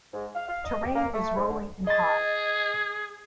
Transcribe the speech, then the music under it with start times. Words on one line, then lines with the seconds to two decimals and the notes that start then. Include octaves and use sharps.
Terrain is rolling and high.
0.14 G#2
0.35 F5
0.49 F5
0.64 D#5
0.83 G4
0.96 A#3
1.13 A3
1.36 G#2
1.49 D3
1.87 G#4 D#5 A6